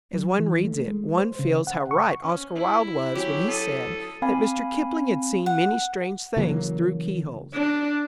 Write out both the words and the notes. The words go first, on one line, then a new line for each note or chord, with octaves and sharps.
As one reads it, one feels how right Oscar Wilde was when he said that Mr. Kipling had seen many strange things through keyholes.
F#3
E3
A3
G#3
C5
C#3
F#5
C#6
C#4
E4
F#3 C#4 G4
A4 D#6
C4 F5 G#5 B5
F#5
C#3 E3 F#3 A#3
D4